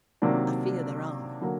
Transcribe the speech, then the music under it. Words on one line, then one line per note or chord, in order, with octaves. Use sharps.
I fear there are.
C3 D#3 F#3 A#3 D4
D3 F#3 A#3